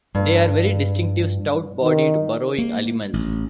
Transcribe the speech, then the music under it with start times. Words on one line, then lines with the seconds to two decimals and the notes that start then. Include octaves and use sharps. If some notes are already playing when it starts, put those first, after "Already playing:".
They are very distinctive stout-bodied burrowing animals.
0.15 G2
1.83 D#3
2.58 A#3
3.13 A1